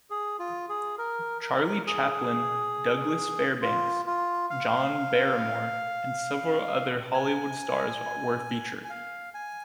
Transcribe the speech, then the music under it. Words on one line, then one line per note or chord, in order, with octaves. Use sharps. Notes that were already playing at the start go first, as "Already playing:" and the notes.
Charlie Chaplin, Douglas Fairbanks, John Barrymore, and several other Hollywood stars were featured.
G#4
F4
G#4
A#4
A#4
G#4
F4
F4
F5
G#5
G#5
F5
G#5